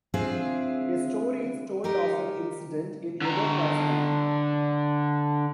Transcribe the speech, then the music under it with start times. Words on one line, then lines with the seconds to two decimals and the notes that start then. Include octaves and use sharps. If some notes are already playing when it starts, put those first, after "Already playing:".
A story is told of an incident in Edo Castle.
0.14 C4 D4 F4 G#4 E5
1.84 D#4 G4 A#4
3.22 D3 A#5